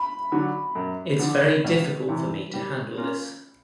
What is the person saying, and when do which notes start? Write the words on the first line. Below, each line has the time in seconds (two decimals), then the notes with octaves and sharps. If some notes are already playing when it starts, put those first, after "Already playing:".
It's very difficult for me to handle this.
Already playing: B5
0.32 D3 F#3
0.75 F#2
1.19 D3 F3
1.64 C#2
2.09 C3 E3
2.53 G3
2.97 A#3 C#4 F4